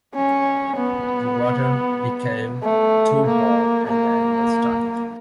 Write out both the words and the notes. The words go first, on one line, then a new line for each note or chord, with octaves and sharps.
The water became too hot, and the animals died.
C#4
B3
A3
A#3
A#3